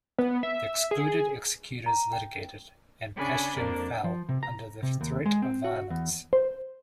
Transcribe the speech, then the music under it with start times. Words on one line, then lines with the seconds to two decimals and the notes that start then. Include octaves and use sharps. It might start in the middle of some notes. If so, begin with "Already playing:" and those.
The excluded executors litigated, and Paston fell under the threat of violence.
0.18 B3
0.43 E5
0.91 G#4
1.86 A#5
2.13 G5
3.17 C#3 D4 G#5 B5
3.56 F2 A#3 D4
4.04 F3
4.29 C3
4.43 A#5
4.83 C3
5.01 D#2
5.26 G#3
5.42 C4
5.64 F#4
5.90 E2
6.33 C5